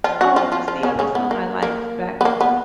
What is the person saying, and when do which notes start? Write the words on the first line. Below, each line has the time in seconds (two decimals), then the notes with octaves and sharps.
oh, what's the other song I liked back in the day?
0.04 F3 F4
0.21 F#3 F#4
0.36 F3 F4
0.52 F3 F4
0.68 F3 F4
0.83 C#3 C#4
0.99 C#3 C#4
1.15 B3
1.31 A#3
1.63 A#3
2.21 B3
2.25 A#3
2.41 B3